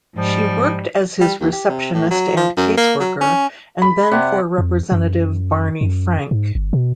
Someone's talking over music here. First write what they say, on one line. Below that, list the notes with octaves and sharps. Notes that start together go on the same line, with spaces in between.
She worked as his receptionist and caseworker, and then for Representative Barney Frank.
G#2 F3 G3
G3
D#2
G4
C3
A2
F#3
F3
F#2
A#3
F#3
C#4
B5
C3 D5 F#5
F2
F#2
F#2
G#2
G1
B2